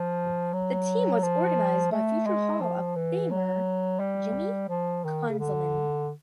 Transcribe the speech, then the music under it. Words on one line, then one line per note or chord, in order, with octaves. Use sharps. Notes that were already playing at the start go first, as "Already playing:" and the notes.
The team was organized by future Hall of Famer, Jimmy Conzelman.
Already playing: F3
F#3
F3
A3
G#3
F3
E3
F#3
G3
F3
D#3
C#3
D3